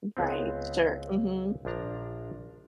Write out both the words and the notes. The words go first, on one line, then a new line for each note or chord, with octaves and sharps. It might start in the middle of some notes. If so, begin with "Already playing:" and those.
Right, sure. Mhm.
C#2 G#3 B3 C4
A#1 F3 D4 A#5